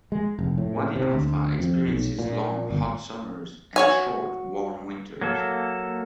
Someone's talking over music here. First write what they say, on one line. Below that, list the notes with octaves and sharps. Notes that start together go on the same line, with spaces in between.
Wadi Halfa experiences long, hot summers and short, warm winters.
G#3
F1
A2
C3
D2
F2
B1
A#2
G1
F#4 C#5 G#5
F#3 A#3 A4